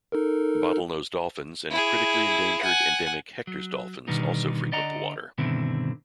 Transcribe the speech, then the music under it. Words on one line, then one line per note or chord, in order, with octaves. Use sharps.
Bottlenose dolphins and critically endangered, endemic Hector's dolphins also frequent the water.
D#4 A4 A#4
E4 G#4
F#5 G#5
F#3
B2 D3 D#3 G3 B3 D#4
D3 D5 D#5 F#5 A#5
G2 B2 D3 D#3 C4 E4